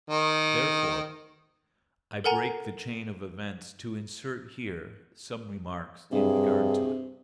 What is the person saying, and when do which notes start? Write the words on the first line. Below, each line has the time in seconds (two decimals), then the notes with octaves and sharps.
Therefore I break the chain of events to insert here some remarks in regard to it.
0.10 D#3
2.24 A4 A#4 F#5 G#5 A#5
6.12 G2 C3 G#4